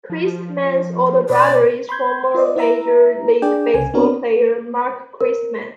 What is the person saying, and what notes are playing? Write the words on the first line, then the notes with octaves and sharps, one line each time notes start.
Christman's older brother is former Major League Baseball player Mark Christman.
F3
B2 D5
B5 C6 G6 G#6
F4 B4 D5 D#5
E4 B4 E5 A#5
D4 G#4 D5 G5
C2 C#3 G#5
B3 C4 D4 F#4 A#4 C#5
A#4